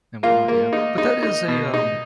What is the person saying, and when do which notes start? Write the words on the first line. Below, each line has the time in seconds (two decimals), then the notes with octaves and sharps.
and whatnot, yeah, but that is a, um
0.23 A#3 F4
0.48 A#3
0.73 D#4
0.98 D#4
1.23 D#4
1.48 B2
1.74 D#4